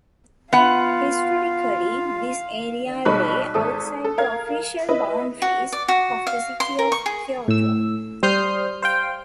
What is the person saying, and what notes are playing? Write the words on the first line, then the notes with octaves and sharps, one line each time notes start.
Historically, this area lay outside the official boundaries of the city of Kyoto.
B3 F4 F5 F#5
B1 G3 D#5 B5 C#6 F#6
G#1 A4 D#6
A4
A#4 F5 G#6
E4 B4 D#5 E5
F#4
D5
F#4
F5
C6
A#4
C#6
G#4
A2 E6
G3 C5 D#6 F6 G6 C7
C5 F5 G5